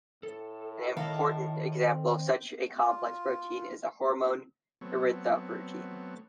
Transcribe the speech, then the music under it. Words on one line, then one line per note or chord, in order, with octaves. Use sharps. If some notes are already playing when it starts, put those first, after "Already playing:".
An important example of such a complex protein is the hormone erythropoietin.
A2 A4
D#3 A4 A#4 D#5 F5
C4
F4
F#3 A3 B3 C4 C#5